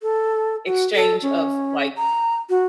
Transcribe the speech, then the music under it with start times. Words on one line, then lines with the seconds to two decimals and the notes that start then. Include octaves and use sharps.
exchange of, like,
0.02 A4
0.66 F#4
0.95 A4
1.23 C#4
1.96 A#5
2.50 F#4